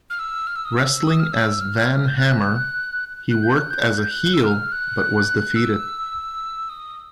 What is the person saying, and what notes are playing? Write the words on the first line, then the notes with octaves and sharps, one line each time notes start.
Wrestling as Van Hammer, he worked as a heel but was defeated.
F6
E6
F6
E6
D#6
E6
D#6
F6
E6
F6
G6
F#6
F#6
G6
F#6
G6
F#6
G6
F#6
E6
F6
F#6
E6
D#6